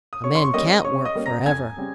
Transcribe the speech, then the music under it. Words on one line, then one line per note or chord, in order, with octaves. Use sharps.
A man can't work for ever.'
D#6
C#3 C#5 C#6
C6
C#6
G3 A#3 C#4 D#5 D#6
C#3 C#5 C#6
D#5 D#6
G3 A#3 C#4
A#5 A#6
F2 G#5 G#6
C#3 G3 C4